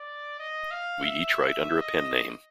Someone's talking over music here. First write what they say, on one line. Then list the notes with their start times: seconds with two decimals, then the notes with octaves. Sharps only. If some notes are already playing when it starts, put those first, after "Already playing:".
We each write under a pen name.
Already playing: D5
0.39 D#5
0.71 F5
1.02 E5
1.34 E5
1.80 D#5